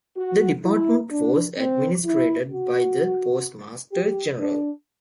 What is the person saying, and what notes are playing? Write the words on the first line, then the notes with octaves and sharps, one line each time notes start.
The Department was administered by the Postmaster-General.
F#4
E4
D4
C4
E4
F#4
G4
D4